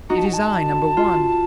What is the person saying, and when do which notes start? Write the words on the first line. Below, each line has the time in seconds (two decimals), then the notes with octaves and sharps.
It is I, Number One.
0.10 D#4 F#4 A#5
0.18 A5
0.26 F#5
0.33 A5
0.97 F4